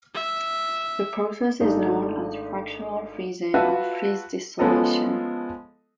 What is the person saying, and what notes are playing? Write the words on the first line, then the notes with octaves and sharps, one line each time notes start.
The process is known as "fractional freezing" or "freeze distillation".
E5
G#1 A3 D4 D#4 G#4
F4 F#4 B4 E5 A5
F3 G#3 B3 C#4 A4 D#5